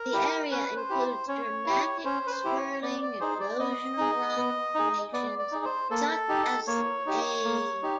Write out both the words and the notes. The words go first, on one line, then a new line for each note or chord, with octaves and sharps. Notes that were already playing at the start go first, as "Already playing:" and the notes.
The area includes dramatic swirling erosional rock formations such as The Wave.
Already playing: A#4
E4 G4
C#4 B4
C5
E4 G4
C5
C#4 C#5
E4 G4
C#4 C5
B4
C5
E4 G4
C#5
B3 D5
D5
D#4 G#4 C5
D5
B3 D#5
D#4 G#4
B3
D#4 G#4
B3 D5
D5
D#4 G#4
C5
A#3 A4
D#4 G4
A#3 C#5
D#4 G4
A#3
D#4 G4